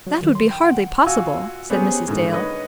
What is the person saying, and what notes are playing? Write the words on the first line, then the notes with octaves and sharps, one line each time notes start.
"That would be hardly possible," said Mrs. Dale.
F#3
D#3
C6
G5
F#5
F4 F#4 F5 G#5 E6
B3 C#4 G4 G#4 C5
G#2 D3 D#3
B4 C#5 D#5